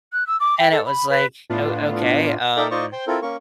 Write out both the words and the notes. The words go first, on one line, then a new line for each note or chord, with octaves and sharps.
And it was like, "Oh, okay, um"
F#6
E6
D6
G5
A4
B5
B4
A2 B3 D4 F4
D#4 A4 A#4 D5 E5 G5
D#4 F4 C5 D5 D#5 C#6
C5 G5 C6
C4 E4 F4 A4 A#4
A#3 C#4 A#4 C#6